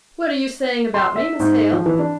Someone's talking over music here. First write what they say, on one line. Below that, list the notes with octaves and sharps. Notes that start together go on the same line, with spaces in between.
'What are you saying about me, Miss Hale?
C6
E5
G#2
F3
E3
D4